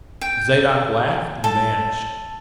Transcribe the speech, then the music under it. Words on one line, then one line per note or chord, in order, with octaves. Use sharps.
Zadok laughed and vanished.
G5
A4